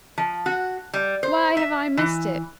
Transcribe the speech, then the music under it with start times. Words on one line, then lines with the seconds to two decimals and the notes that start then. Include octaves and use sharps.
Why have I missed it?
0.18 F3
0.46 F#4
0.94 G3
1.23 C5
1.57 E5
1.97 E3